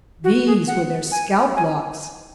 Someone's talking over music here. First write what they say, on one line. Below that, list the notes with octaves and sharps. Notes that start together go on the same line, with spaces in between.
These were their scalp locks.
F#4
G#4
F#5
G#5
G#5